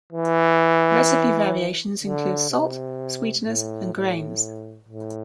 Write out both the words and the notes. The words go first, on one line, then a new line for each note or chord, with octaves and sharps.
Recipe variations include salt, sweeteners, and grains.
E3
D3
C3
A2
A2
A2